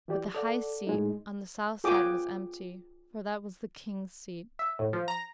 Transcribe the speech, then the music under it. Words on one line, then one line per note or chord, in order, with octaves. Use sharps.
But the high seat on the south side was empty; for that was the king's seat.
E3 F#4 G4 D5
A4 D5 F#5
A2 G#3 D#4
F4 F#4 G#4 G5 D6 D#6
E5
A2
F3
A#5